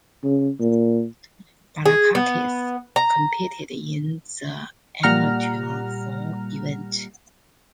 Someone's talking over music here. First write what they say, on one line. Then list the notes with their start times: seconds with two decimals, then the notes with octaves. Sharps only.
Balakakis competed in the amateur foil event.
0.23 C#3
0.59 A#2
1.86 G#4
2.15 B3
2.96 A#5
5.03 A#2 G3 F#5 A#5 F6